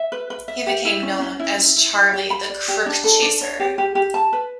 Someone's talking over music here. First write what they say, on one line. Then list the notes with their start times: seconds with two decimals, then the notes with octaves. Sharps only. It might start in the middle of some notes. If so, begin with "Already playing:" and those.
He became known as Charlie, the Crook Chaser.
Already playing: E5
0.12 B4
0.30 B4
0.48 E5
0.66 G4
0.85 E4
1.02 C#4
1.21 C#4
1.39 E4
1.58 E4
1.76 E4
1.94 E4
2.13 G4
2.30 B5
2.50 D5
2.68 G4
2.86 D4
3.04 A4
3.22 D4
3.41 C#5
3.60 G4
3.78 G4
3.95 G4
4.14 A5
4.33 B4